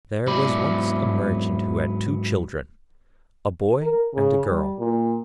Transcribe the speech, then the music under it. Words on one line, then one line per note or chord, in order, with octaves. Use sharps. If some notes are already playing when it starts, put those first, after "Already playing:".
There was once a Merchant who had two children, a boy and a girl.
G#2 F#3 B3 E4 D5 B5
A#4
C#3
G3
A#2